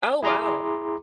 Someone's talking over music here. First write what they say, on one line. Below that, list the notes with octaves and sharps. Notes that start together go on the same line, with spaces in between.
Oh, wow.
E4 G#4 A#5 C6 D6